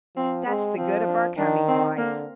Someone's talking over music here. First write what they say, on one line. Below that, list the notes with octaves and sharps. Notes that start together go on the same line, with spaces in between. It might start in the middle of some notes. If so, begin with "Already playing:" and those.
"That's the good of our coming, wife."
F3 C4
G#3 C4
F3 C4
D4
D#3 D4
C4
D3 A#3